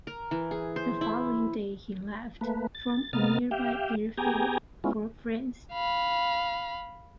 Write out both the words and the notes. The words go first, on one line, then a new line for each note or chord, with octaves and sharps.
The following day he left from a nearby airfield for France.
A#4
E3
G#4
C5
E4
A3 A#3 B4
A6
C3 A#3 B3 D#5 F6 A6
G4 E5 F5 G5
B3 G4 G#4 G5 G#5 A#5
G#3 B3 C#4 E4 F4
F5 B5